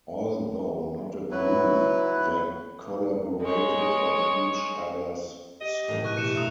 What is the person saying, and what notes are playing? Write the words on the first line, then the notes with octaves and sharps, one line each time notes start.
Although not a group, they collaborated on each other's songs.
F#3 E4 B4
G#3 C#5
G4 D#5
A2 E3
B2 C#6 F#6 D#7
G4 F#6 C#7 E7
G2 F4 E5 A#5 D#6 E7